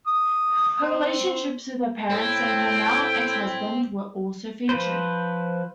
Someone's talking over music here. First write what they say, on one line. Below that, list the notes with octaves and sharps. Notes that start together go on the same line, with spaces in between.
Her relationships with her parents and her now ex-husband were also featured.
D#6
C4
A2 C4 E4 G5
F3 B4 C5